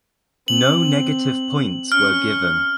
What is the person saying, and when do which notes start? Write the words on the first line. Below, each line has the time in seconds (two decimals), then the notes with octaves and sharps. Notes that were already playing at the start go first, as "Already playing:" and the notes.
No negative points were given.
0.48 C4 F#7
1.92 C#4 C#6 F6